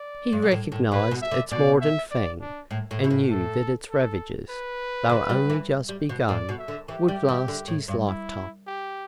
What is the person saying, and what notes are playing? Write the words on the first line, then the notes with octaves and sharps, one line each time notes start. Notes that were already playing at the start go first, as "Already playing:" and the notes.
He recognised its mordant fang, and knew that its ravages, though only just begun, would last his lifetime.
Already playing: D5
G2
B2
A2
A2
A2 B4
B2
E5
D3
B2 D5
E5
D5
D4
A2
A2
B2 E4
A2
A4
A4
B4
D3
G3
E3
G3
B2
A2 D5
B2
E5
D3
E3 G4
G3
E3
D3
A2
G2
E4
G4